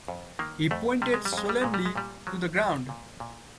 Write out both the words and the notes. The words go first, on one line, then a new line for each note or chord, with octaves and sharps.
He pointed solemnly to the ground.
F2
D#3 A#3
F2 A3
C3 G3
G#3
G3
F2 G#3
G3
A#2 G#3
G3
G#3
A#2 G3
F3 F#3
F3
A#2
A#2